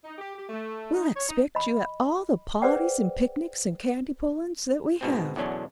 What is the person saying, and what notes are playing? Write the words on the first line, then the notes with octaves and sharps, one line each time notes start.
We'll expect you at all the pahties and picnics and candy-pullin's that we have.
D#4
G4
G4
A3
D#4
C#5
D#4
D#5 B5
G#4 B4 C5 D5 F#5 G5
G#2 B2 C4
E2 B2 D3 F#3 C#4 D4